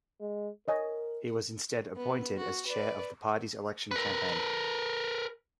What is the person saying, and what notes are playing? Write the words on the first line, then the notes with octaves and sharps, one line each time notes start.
He was instead appointed as chair of the party's election campaign.
G#3
A#4 C#5 D#5 G#5
B3
F#4
B4 D5
A#4 B4